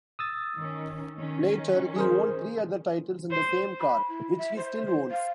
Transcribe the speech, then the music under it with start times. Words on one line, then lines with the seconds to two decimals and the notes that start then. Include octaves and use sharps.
Later he won three other titles in the same car, which he still owns.
0.19 D#6 E6 A6
0.57 D#3 C#4
1.18 D#3 C#4
1.96 G#4 A#4 C5
3.31 C5
3.80 B5
4.09 E4
4.38 E5
4.56 C5
4.86 C5
5.11 F5